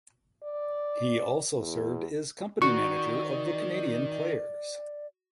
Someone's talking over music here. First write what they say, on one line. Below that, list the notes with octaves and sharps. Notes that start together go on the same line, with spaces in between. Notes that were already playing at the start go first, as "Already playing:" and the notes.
He also served as company manager of the Canadian Players.
D5
E2
D#3 F#4 D5 C#6